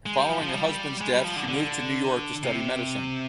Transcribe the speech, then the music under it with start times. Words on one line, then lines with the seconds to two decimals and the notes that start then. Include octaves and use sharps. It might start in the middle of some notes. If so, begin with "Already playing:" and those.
Following her husband's death she moved to New York to study medicine.
0.06 G#3
0.18 G3
0.29 F3
0.42 F3
0.53 G3
1.01 G#3
1.12 G3
1.24 F3
1.36 D3
1.48 D3
2.43 C3